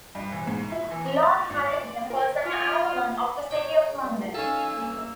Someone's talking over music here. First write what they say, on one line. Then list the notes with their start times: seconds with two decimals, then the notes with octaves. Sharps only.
Lord Hollenden was an Alderman of the City of London.
0.15 G2
0.32 E3
0.47 G#2
0.72 E4
0.91 E3
1.08 F7
1.23 A6
1.50 G#1
1.73 D5
2.10 A#4
2.44 F4 F6
3.51 C#5 G5
4.02 G2 D5
4.34 C#4 D#4 A4 F5 G#5 E6
4.77 G2 A#3